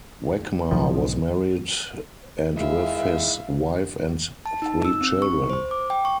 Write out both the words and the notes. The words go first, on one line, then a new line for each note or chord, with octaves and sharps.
Wechmar was married and with his wife had three children.
B1 G#2 D#3 F3
D#3 G#3 E4 E5 F5
A5
D#4
E6
C4
C#6
C5
D6
G5
C#6